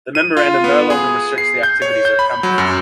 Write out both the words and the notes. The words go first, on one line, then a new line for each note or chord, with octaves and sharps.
The memorandum no longer restricts the activities of a company.
D#7
F4
B3
G#4
C7
G6
C#5
G6
B5
F#3
F#2